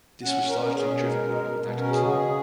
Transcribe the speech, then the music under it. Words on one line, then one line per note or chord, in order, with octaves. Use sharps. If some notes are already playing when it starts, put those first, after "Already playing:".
This was largely driven by the United Kingdom.
C#4 F#5
C#4
A#4
B4
C#4 A#4
G#4
B2
G#3 A#4
B2
B2
B2
C#4 A#4
G#4
C#3 F#4
C#3 G#4